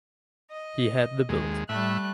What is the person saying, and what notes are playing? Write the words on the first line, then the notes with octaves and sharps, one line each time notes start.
He had the built.
D#5
D#2 G#3
A2 G3 A3 E5 F#6